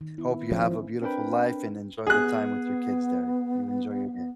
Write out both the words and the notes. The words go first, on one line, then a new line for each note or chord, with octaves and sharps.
hope you have a beautiful life and enjoy the time with your kids there. You enjoy your day.
D#3
B3 E4
F3 C#4 E4
C4 D4 A#4 B4 G5 B5
B3 G#4 F#6